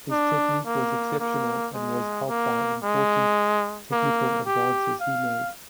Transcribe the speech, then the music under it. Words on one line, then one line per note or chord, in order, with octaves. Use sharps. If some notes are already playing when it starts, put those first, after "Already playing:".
His technique was exceptional, and was helped by important technical advances he made.
D4
A#3
A#3
G#3
A#3
G#3
A#3
G4
F5